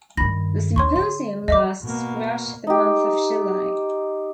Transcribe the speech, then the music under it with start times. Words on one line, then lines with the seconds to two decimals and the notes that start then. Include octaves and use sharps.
The symposium lasts throughout the month of July.
0.17 G2 D#3 B5 A#6
0.76 D#2 D4 C#5 C6 C#6
0.96 D3 C6
1.48 E3 F#3 D#5 E5 D6
1.82 B2 A#3
2.67 D#4 G4